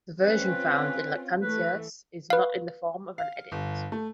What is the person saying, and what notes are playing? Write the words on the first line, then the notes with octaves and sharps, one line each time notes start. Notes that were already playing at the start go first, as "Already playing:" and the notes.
The version found in Lactantius is not in the form of an edict.
C4 C#4 F4 B4
E3 A3 B4
B4 F5
F5
G1
A3